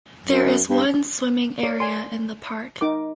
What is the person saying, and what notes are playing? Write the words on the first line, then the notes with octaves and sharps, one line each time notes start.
There is one swimming area in the park.
F#2
G2
A#4 C#5 D5
D5 G#5 C6
D#4 A#4 D6